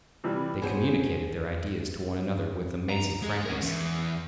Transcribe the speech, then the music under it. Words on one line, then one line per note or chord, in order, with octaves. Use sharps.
They communicated their ideas to one another with amazing frankness.
C3 E3 G3
B2 G#4 C5 C#5
A#5
G#3 G#4
C#4 A#4
E2